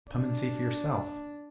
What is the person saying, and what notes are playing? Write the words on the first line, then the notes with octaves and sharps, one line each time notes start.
Come and see for yourself.'
D4